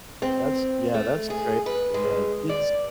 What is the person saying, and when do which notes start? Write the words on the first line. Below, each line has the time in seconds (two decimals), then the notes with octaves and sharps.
That's yeah, that's crazy, yeah. Kids
0.22 C4
0.94 A3
1.30 G#4
1.66 B4
1.94 G#3
2.49 D5